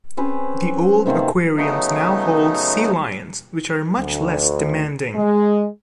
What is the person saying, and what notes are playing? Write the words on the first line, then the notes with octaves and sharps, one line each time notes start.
The old aquariums now hold sea lions, which are much less demanding.
C4 C#4 G#4 B4
C3 D#3 A#3 C4
C#3 F#3 A3 B3 D#4
D2
G#3